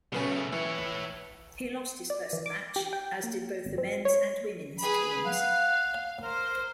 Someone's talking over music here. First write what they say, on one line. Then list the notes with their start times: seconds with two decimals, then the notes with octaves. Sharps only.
He lost his first match, as did both the men's and women's teams.
0.12 B1 C#3 A3 B3 C#4
0.53 E3 E4 C#5
2.10 D5
2.33 E3
2.46 D6
2.76 G4
2.93 G5
3.24 A#3
3.65 G#1
3.78 C4
4.05 C#5
4.81 G#4 B4 B5
5.26 F5 F#5
6.22 A#4 C5